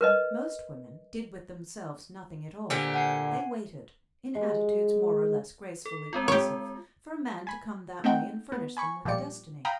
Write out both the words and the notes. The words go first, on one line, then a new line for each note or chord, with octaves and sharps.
Most women did with themselves nothing at all; they waited, in attitudes more or less gracefully passive, for a man to come that way and furnish them with a destiny.
A#4 B4 D#5
A#2 D3 G4 C5 G#5
F#5 G#5 C7
G#3
A4
G#3 C4 F4
G4 C#5
G#5 B5
A3 C4 D#4 F#5 G5
B3
G#5 B5 C#6
A#2 F3 G3 G4 D5 C#7
F5 G5 A#5 B5 D#6